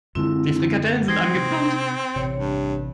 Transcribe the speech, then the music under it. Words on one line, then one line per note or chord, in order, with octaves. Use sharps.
Die Frikadellen sind angebrannt.
F#2 D3 G#3 C4 E4 F4
E3 G#3 C4 D#4 G#6 A#6 C7
C3
A1 C3 C#5
G2